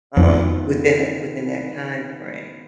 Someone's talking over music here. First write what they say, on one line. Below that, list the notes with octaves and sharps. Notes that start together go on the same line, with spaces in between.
um, within that within that time frame,
F2 D#3 F3 B3 F4